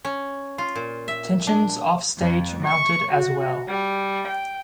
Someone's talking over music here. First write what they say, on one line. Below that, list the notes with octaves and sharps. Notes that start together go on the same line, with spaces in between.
Tensions offstage mounted as well.
C#4
F4
A#2
E5
D4
F2
C#6
F#4
G3
G5